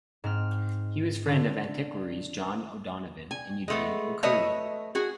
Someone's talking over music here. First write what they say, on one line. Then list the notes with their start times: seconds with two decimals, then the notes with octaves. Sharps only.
He was a friend of antiquaries John O'Donovan and Eugene O'Curry.
0.24 G#2 C4 F6
1.26 D3
3.31 G#5
3.68 G#3 A3 B3
4.23 A3 B4 C#5 D#5 E5
4.95 F#4 G#4